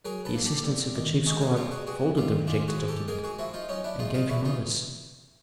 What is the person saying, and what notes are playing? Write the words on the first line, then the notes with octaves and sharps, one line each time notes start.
The assistants of the chief scribe folded the rejected document, and gave him others.
F#3 G#4 A#4
A4 B4
A#3
G4 A4
G2
D#3
G#3 F#4 G#4
F#4 G#4
G2 F4 G4
F#4 G#4
G2 F#4 G#4
D#3 F4 G4
G#3 F4 G4
F#4 G#4
G#2
G4 A4
G#2 G#4 A#4
F#4 G#4
F3 E4 F#4
D#4 F4
F#3 C#4 D#4
D4 E4
E2 D#4 F4
D#4 F4
E2 E4 F#4
D#4 F4